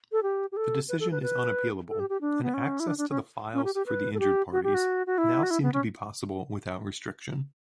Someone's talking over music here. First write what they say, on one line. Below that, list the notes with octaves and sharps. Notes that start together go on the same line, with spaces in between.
The decision is unappealable and access to the files for the injured parties now seemed to be possible without restriction.
A4
G4
G4
A4
B4
A4
B4
B4
A4
G4
G4
D4
B3
C#4
E4
D4
D4
C#4
C#4
G4
G4
B4
A4
G4
F#4
G4
F#4
F#4
E4
F#4
E4
B3
C#4